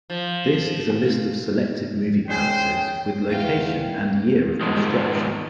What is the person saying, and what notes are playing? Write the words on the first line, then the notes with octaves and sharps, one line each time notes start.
This is a list of selected movie palaces, with location and year of construction.
F3
G#3 C#4 G#4 C5 G5
E2 F5 G5
G#2 B2 D#3 F3 G#3